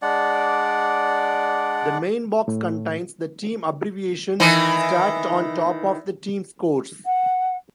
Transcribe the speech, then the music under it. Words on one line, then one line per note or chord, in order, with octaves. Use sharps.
The main box contains the team abbreviations, stacked on top of the team scores.
G#3 D4 D5 F#5
A2
D#3 E3
F#5